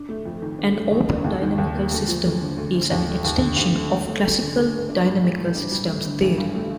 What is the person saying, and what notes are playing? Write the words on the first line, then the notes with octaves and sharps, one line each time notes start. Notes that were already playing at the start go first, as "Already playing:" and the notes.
An "open dynamical system" is an extension of classical dynamical systems theory.
Already playing: D4
A3
F2
D#3
D4
A3
D#2
A#3
D#2
D#3
D#2
A#3
D2
F3
D2
D3
D2
F3
D#2
A3
D#2
D3
D#2
A3
D2
A3
D2
D3
D2
A3
D4
G3
A1
A2
D4
G3
A3
D3
A1
G2
A3